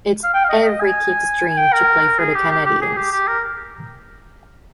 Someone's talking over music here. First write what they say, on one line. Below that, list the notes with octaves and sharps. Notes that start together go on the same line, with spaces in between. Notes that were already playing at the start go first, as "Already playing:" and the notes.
It's every kid's dream to play for the Canadiens.
F5
G5
F5
D#5
D#5
G#5
G5
A#4
G#4
G4
G4
G4
G#4
G4
G4
A#4